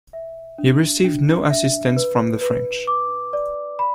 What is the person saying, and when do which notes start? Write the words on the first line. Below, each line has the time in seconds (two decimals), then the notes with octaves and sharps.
He received no assistance from the French.
0.13 E5
0.58 D4
1.05 D4
1.50 E5
1.96 B4
2.41 B4
2.87 D6
3.33 D5
3.79 B5